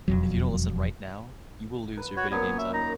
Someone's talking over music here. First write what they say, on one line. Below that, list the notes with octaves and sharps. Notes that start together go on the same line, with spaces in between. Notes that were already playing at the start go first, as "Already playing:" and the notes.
If you don't listen right now, you will lose your video game time.
E1 F2 F#3
B4
F#4 C#5
F#2 A#2 B3 C#5
E5
D#4 A#5